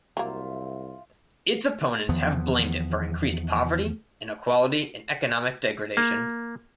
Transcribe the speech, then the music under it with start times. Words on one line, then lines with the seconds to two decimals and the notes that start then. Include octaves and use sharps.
Its opponents have blamed it for increased poverty, inequality and economic degradation.
0.17 C2 F#3 A#3 F4 E5 G5
2.09 E2 D#3 F3 B3
5.97 A#3